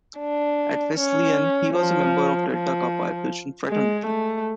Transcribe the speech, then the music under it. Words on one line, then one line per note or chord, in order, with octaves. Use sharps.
At Wesleyan he was a member of Delta Kappa Epsilon fraternity.
D4
C#4
F3
F3
G#3
A3